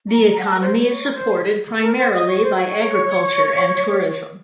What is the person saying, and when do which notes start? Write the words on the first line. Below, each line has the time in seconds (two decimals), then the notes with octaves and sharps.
The economy is supported primarily by agriculture and tourism.
0.10 A#5
0.27 A#5
0.37 F#5
0.43 A5
0.55 A#4
0.60 C5
0.77 C#5
1.02 A#4
1.12 C5
1.80 A#4
1.96 C5
2.13 D#5
2.28 C#5
2.42 C5
2.55 C#5